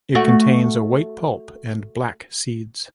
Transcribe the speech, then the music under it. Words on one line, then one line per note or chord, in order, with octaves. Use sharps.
It contains a white pulp and black seeds.
A3 F#4